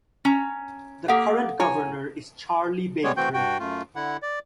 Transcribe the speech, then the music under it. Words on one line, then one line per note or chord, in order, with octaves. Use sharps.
The current governor is Charlie Baker.
C#4 A#5
A#3 G4 A4 F5 F#5
E4 G4 C#5 G#5 C#6
G3 G#3 B3 C#5
E3 A3 C4 F#4 G5 G6
G2 F#4 G5
F#2 A3 F4
D3 E4 F#5
D5